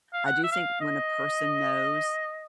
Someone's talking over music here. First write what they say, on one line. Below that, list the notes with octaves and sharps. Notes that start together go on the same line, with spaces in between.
I do think when a person knows
F5
F#5
E5
F5
D#5